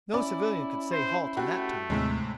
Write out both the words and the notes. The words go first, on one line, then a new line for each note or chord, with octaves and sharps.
No civilian could say halt in that tone.
C#4 E4 D5
C5
A3 F#4 G4
D#2 A2 C3 G#3